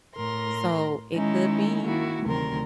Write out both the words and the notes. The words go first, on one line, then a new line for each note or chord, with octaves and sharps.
So, it could be,
A2 A#4 C6 A#6
D#3 G#3 C#4 D#4 E4
D#3 A#3 E4 F#4
D2 C3 D#3 F#3 A#4 C6